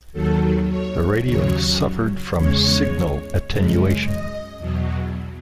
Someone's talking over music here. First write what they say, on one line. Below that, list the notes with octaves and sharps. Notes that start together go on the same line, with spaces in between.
The radio suffered from signal attenuation.
D#2 D#3 F#3 A4
C#5
D#2 C#3 F#3 C#5
E2 C#3 G#3 C#5
F#2 C#3 G#3
D#5
E2 B2 F#3